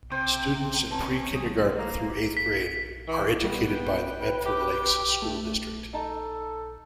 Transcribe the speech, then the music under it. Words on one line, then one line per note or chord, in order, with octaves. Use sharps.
Students in pre-kindergarten through eighth grade are educated by the Medford Lakes School District.
C3 C5 G5
C#4 B4 A5 A#5
F3 G3 D#6
A#3
B6
E3
G3 B3
B4 G5
G4
A3
D#4 A4 A5 A#5